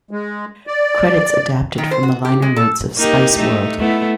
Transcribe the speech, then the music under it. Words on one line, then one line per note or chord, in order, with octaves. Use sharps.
Credits adapted from the liner notes of "Spiceworld".
G#3
D5
D#3
C5
F#4
G4
G#3
A4
A#3 D#4 G4
A3 D#4
A3 B3 E4